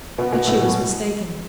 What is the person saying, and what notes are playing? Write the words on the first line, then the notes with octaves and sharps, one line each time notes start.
But she was mistaken.
B2 B3
B2 B3
A2 A3
B2 B3